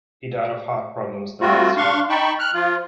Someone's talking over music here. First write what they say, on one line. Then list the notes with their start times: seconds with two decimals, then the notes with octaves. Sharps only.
He died of heart problems the next year.
1.41 G3 A3 C4 F4 F#4
1.77 D4 F5 C6 C#6
2.09 D#4 G5 A5 B5 C#6
2.39 F6 F#6
2.54 F3 F4